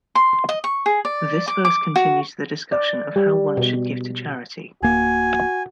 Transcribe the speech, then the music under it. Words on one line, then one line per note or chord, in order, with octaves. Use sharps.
This verse continues the discussion of how one should give to charity.
C6
D#5
C#6
G#4
D5
D6
D6
F#4
D5
G3
B2
D1 A#3 F#4 G#5